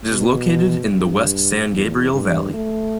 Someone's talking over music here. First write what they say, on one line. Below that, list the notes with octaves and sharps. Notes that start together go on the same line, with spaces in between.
It is located in the West San Gabriel Valley.
B2
G2
E2
G2
A3